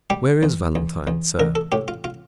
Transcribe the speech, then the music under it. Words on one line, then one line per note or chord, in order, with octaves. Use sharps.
Where is Valentine, sir?
G3 G4
E2
E2
E2
A1 A#4
A4
A2 G4
F4
F4